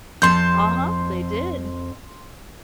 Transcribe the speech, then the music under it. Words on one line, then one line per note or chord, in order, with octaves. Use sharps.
Uh-huh, they did.
F2 A5 C6 G6